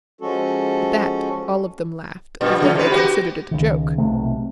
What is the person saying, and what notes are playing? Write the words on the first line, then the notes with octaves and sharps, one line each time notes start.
At that all of them laughed, as though they considered it a joke.
F3 G#3 C#4 F#4 A4
G2 A#2
C#3 A3 C#4
C3 B4
F#4 G4
C#2 D#3
B1 C3 A3